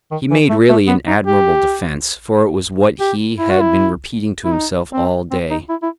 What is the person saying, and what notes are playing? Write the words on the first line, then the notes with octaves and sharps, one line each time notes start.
He made really an admirable defence, for it was what he had been repeating to himself all day.
D#3
E3
A3
A3
B3
D#4
G4
G4
E4
F#4
E4
E4
D#4
C4
C4
D#4
E4
E4